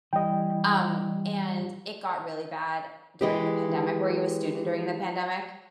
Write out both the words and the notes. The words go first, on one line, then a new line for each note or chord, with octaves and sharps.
um, and, it got really bad during the pandemic. Were you a student during the pandemic?
E3 G3 D#5 G5
E3 G#3 G4